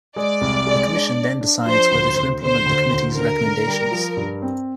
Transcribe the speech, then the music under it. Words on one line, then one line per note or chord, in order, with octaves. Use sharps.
The Commission then decides whether to implement the Committee's recommendations.
G#3 D5
C2
G#3
D4
D4
D4
F3 C5
D2
D2
D3 C5
D2
D2
D3 A#4
D3
G3
F3
G2
C4